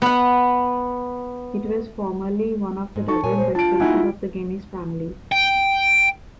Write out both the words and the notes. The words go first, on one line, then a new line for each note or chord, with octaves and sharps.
It was formerly one of the Dublin residences of the Guinness family.
B3 F#5
G#2
D#4 A4 A5 C#6
A#2 A#4 C#5 G#5
C5
D4 F4 A5 D7
A#3 D#4 E4 F#4 F#5 G#5
G5